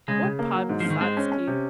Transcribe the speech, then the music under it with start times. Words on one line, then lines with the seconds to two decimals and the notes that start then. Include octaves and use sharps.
"What Podvysotsky?"
0.08 C#3 G#3
0.23 C#3
0.39 A#3
0.54 F#3
0.69 G#2
0.80 F3
0.85 G#2
0.90 D#3
1.01 G#3 C4
1.17 C#4
1.32 C#4
1.47 C3